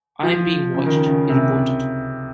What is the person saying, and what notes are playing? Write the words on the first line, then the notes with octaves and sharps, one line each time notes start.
"I'm being watched," he reported.
F3
C#3
D#3
C#3
C3